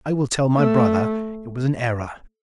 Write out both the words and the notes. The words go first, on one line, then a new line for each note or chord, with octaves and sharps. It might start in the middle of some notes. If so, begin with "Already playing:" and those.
"I will tell my brother it was an error."
A3